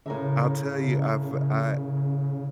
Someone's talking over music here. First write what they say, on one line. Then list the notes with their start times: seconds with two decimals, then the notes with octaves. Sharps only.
I'll tell you, I've I
0.06 A2 C#3 A#4 E5